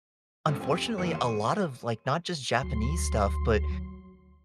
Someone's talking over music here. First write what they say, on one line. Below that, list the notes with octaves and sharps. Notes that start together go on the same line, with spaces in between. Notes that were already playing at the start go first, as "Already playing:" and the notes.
unfortunately, a lot of, like, not just Japanese stuff, but
G#2 D3 F3 A3 C4 C#4
F1 C4 G4 G#5
E7
F1 C2 D#3 E3 A#3 C#7
C#5 C6 D#7
D2 F#3 C6